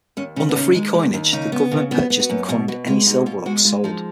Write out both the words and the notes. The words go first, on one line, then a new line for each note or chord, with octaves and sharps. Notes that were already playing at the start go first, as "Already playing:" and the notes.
Under free coinage, the government purchased and coined any silver that was sold.
D#2 C#4
C#3 C#4
B3
D#2 C#4
G#3
D#2
D#2
C#3 D#4
B3
C#3
B3 F4
B3
F#4
F#2
B2 G#4
B2 F#4
G#3 F4
B2 D#4
B2 F4
G#3 F#4
G#3 F4
F3 D#4